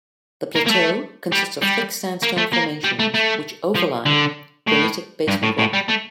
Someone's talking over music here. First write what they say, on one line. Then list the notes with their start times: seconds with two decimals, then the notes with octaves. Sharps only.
The plateau consists of thick sandstone formations which overlie granitic basement rock.
0.55 A#3
0.66 A#3
0.70 A3
1.32 G3
1.62 G3
2.23 A#3
2.38 A3
2.53 A#3
2.84 G3
2.99 A3
3.14 A3
3.76 F3
4.06 D3
4.67 A2
5.28 G2
5.43 A2
5.59 A2
5.73 G3
5.89 A3